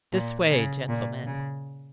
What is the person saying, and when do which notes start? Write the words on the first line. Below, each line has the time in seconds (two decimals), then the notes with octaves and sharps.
'This way, gentlemen!
0.13 A#2
0.50 C#3
0.89 A#2
1.26 C#3